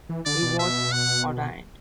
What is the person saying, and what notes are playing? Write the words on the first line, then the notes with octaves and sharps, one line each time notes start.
He was ordained.
E3
D3 D5
B2
E5
F#5